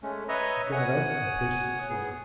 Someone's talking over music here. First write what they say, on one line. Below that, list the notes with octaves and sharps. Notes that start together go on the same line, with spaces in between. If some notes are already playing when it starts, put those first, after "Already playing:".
He got up and paced the floor.
G#3 A3 C#4
B4 C#5 D#5 E5 A#5
C#5 F#5 G#5 D#6
B3 G#4